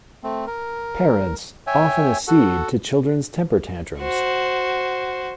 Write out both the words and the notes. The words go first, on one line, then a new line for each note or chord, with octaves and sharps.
Parents often accede to children's temper tantrums.
A3 C4
A#4
C#5 E5 G5 G#5
F#4 A4 F#5
F#4 C5